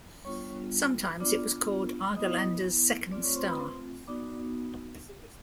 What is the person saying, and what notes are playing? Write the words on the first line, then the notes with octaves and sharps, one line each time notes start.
Sometimes it was called "Argelander's second star".
G3 B3 D4 F4 C#5 C#6
B3 D4 F4 D5 D6
B3 E4 D#5 D#6
A3 C4 F4 D5 D6
C#5 C#6
C5 C6
B4 B5
C5 C6
B3 D#4 F#4 D5 D6